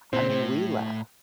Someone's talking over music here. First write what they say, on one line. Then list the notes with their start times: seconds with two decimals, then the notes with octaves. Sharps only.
I mean, we laugh,
0.13 A#2 C4
0.29 A2